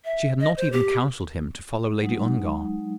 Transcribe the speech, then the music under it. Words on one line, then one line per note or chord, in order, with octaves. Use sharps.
She had not even counselled him to follow Lady Ongar.
E5
D#5
C5
G4
F#3 G#3 D#4